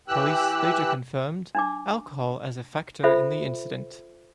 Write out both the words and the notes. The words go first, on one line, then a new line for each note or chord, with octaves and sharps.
Police later confirmed alcohol as a factor in the accident.
E3 G4 E6 F#6
D4 D#4 D6
F4 A4 C5 E5 B5